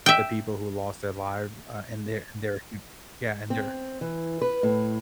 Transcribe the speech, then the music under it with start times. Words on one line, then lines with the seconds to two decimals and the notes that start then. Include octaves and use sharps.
the people who lost their lives, uh, and their their m Yeah, and their
0.06 E5 G5
3.50 C4
4.01 E3
4.42 B4
4.63 A2